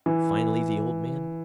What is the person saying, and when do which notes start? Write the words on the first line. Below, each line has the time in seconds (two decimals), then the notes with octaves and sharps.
Finally, the old man?
0.06 E3